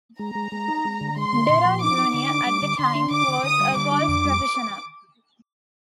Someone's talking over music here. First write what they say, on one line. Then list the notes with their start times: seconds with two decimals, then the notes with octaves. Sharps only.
Deron Junior at the time, was a golf professional.
0.19 G#3 A#5
0.35 G#3
0.52 G#3
0.68 D#4
0.85 G#3
1.01 D3
1.16 G#3 C6
1.33 D3
1.49 A#2
1.65 F3
1.82 D#4 D6
1.98 D#4
2.14 D3 D6
2.31 D4
2.46 G3
2.62 D3
2.79 D3 C6
2.95 D4
3.11 D3 D6
3.28 D3
3.43 D3 D#6
3.60 G3
3.76 D3 D6
3.92 D4
4.08 F2
4.25 G3